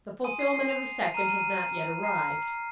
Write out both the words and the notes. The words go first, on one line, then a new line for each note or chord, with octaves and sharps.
The fulfilment of the second has not yet arrived.
G#5 C6 D#6 D#7
C7
C7
F7
A#5 F6 D#7
D#7
D#7
A#5 F6 C7